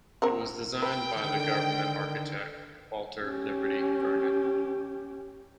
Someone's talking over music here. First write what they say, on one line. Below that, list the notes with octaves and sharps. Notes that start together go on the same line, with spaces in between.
It was designed by the government architect, Walter Liberty Vernon.
C4 A#4 F#5
B4 G5
D3 D#3
C#4 G4